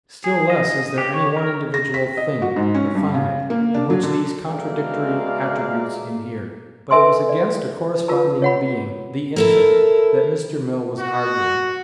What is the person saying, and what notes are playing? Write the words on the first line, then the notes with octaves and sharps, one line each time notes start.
Still less is there any one individual thing, "The Finite," in which these contradictory attributes inhere. But it was against a corresponding being, "The Infinite," that Mr. Mill was arguing.
G#4
D#5
G4
C#5
A#4
A#6
B6
D#5
F#4
G#2
C#4
G2
C#3
A#3
D4
F#3
D3
B2 G#3 A3 D5 F5 A#5
A4 B4 E5 G#5 C6
D5
F4 B4 A5
C#5 F#5 B5
E4 A4 A#4
F#4